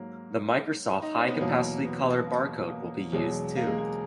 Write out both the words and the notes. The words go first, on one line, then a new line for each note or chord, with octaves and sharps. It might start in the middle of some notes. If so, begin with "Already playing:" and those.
The Microsoft High Capacity Color Barcode will be used too.
Already playing: G#2 F#3 A#3
D#4
C#4
B3
E2 B2 F#3 A#3
B3
A#3
A#3
E2 B2 F#3 G#3
A#3
G#3
A#3